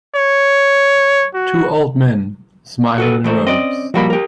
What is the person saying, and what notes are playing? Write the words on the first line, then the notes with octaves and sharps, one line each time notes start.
Two old men smiling in robes.
C#5
F#4
F#4 A4 B4
E3 A3 C5
C4 C#4 D5 D#5
A#2 F3 G3 A#3 F#4 B5
G4 A#4